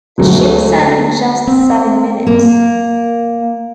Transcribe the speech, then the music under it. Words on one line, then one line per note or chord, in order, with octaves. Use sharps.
The ship sank in just seven minutes.
D2 F#3 G#3
C4
A#3